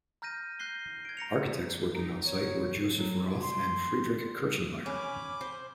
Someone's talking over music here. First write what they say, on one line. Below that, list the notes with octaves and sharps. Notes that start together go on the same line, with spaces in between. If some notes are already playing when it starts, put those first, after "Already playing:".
Architects working on site were Joseph Roth and Friedrich Kirchenmayer.
A#5 F6 G6 A#6 D#7
F#6 G6 A#6 C7 G7
G#6 D7
A#5 A#6 C#7 F7
D#4
C#5
F#3
C6
C#4 G#5 B5 D6
C5